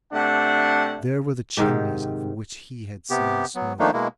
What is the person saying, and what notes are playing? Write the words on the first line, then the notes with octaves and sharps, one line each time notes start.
There were the chimneys of which he had seen the smoke.
C3 A3 D4 F#5
G#2 C3 D#3 G4
C3 B3 G4
F#3 B3
D#3 F3 A3 A#3 D4 D#4
B2 G#3 A#3 E4